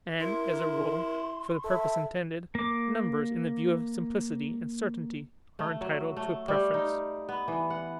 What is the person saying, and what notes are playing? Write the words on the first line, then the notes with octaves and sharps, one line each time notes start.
And, as a rule, for the purpose intended, numbers, in the view of simplicity and certainty, are entitled to a preference.
E4 A#4 C6
A4 E5
A#3 D6
A3
F#3
A3
G3
D#4
B3
E3
F#5